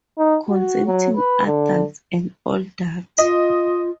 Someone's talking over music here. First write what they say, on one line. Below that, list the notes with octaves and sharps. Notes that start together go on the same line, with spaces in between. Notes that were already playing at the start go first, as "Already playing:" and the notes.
Consenting adults and all that.
D#4
F#4
F#3
B4
D3
F4 D#5